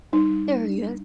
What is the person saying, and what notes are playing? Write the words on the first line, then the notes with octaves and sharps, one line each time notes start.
There really is,
G3 D#4
G3
G3
D4
G3